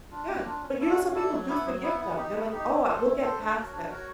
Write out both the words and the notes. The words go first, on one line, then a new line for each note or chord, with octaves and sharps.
Yeah. But, you know, some people do forgive them. They're like, "Oh, uh, we'll get past this."
D4 F4
A#3
D4 F4
C#4
E4 A4 D5
C#4
E4 A4 D5
F#3
B3 E4
F#3
B3 E4
B3
D#4 G4
B3
D#4 G4
E4
A4 C5
E4
A4 C5
D4
F#4 A#4 C#5
D4
F#4 A#4 C#5